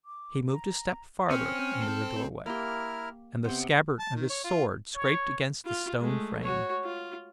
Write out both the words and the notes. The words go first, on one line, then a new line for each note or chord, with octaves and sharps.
He moved a step farther into the doorway and the scabbard of his sword scraped against the stone frame.
D6
A#5
C4 C#4 F6
A4
A#3 E4 G4 A#4 F6
C3 B3 C5
A5
D#3
C#5
F4
C#5
F4
G#3 A3
F#4 C#5
F4